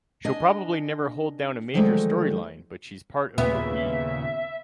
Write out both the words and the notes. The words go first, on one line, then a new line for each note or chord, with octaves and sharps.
She'll probably never hold down a major storyline but she's part of the weave.
D4 D#5 G#5
D3 D#3 F3 F#3 G#3 A3
D#2 A#2 C#3 B3 E5